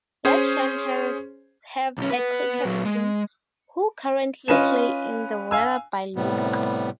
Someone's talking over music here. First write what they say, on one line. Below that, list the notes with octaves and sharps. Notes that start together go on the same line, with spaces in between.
Ledsham have a cricket team, who currently play in the Wetherby League.
C#4 G#4 C5
B1 C#4
B3 B4
A#2 F#3
G#3
C#4 F4 B4 D#5 G#5 E7
F5 G#5 E6
A2 C3 G3 B3